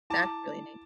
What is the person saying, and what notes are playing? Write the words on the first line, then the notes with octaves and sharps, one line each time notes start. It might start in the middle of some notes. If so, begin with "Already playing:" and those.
That's really neat.
E4 A5 D6